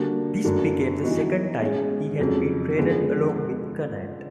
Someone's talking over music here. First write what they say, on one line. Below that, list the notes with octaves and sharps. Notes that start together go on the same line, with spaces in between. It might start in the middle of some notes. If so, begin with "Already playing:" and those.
This became the second time he had been traded along with Kunnert.
Already playing: D3 G3 A#3 D4 F#4
F#2 D3 F#3 A#3 D4
E3 G3 B3 D#4 F#4
B2 G#3 C#4
F2 C#3 F#3
D3 F3 G#3 B3